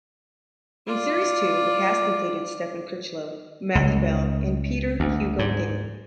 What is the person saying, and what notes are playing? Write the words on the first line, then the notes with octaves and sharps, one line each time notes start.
In series two the cast included Stephen Critchlow, Matthew Bell and Peter Hugo-Daly.
F4 D5
C#2
D2
G#2